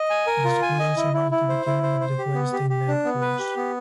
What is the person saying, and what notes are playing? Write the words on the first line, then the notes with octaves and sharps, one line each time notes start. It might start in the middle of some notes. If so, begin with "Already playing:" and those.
This would also mark the beginning of the "Wednesday Night Wars".
Already playing: D#5
G#5
A#4
F4
G#5
D#5
E4
E4
E4
C5
E4
C5
C5
G4
B3
G4
G4
D4
B3
B4
G4
B3